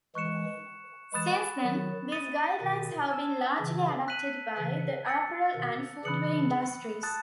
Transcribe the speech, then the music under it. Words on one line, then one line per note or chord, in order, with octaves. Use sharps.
Since then, these guidelines have been largely adopted by the apparel and footwear industries.
E3 G#3 C#6 F#6 C#7 E7
E3 G#3 B5 D#6 F#6 A6 E7
D#3 F#3
D#6 A6 D#7
B2 D#3
A5 E6 G#6
C#3 E3
F#6 B6 D#7 F#7
C#3 E3
E6 A6 C#7
B2 D#3
C#3 E3 B5 D#6 F#6 C#7 F#7
A5 D#6 F#6 A6